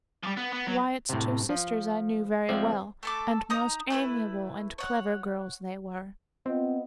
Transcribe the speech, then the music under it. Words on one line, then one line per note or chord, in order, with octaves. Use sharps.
Wyatt's two sisters I knew very well, and most amiable and clever girls they were.
F3 G3
B3
B3
F#3
A2 C3
F3
F3 G#3 C4 D5 E5
A3 A4 D6
D#4 A#5 D#6
A3 E4 B4
C#5 F#5
B3 C4 F4 D#5